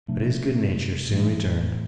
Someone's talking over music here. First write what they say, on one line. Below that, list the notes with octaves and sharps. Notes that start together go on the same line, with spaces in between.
But his good nature soon returned.
C3 F3 A3 D4
A2 E3 A3